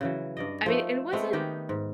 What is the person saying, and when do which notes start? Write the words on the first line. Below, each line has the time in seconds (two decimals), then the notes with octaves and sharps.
I mean, it wasn't
0.01 C#3 E3 F#3
0.37 G2 D5 D#5
0.66 F3 A3 D#4
1.13 G#3 A3 B3 C4
1.33 D#3 B3 D#4 G4
1.69 G#2